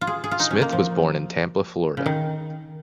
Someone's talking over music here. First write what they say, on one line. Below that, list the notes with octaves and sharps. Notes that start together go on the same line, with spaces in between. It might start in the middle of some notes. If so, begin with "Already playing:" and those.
Smith was born in Tampa, Florida.
F4
G#4
G#4
F4
D#4
C#4
A#3
F3
C#3
D#3